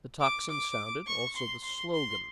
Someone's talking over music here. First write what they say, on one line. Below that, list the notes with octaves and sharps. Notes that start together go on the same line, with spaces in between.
The tocsin sounded, also the slogan.
D6
D6
C#6
C6
C6
C6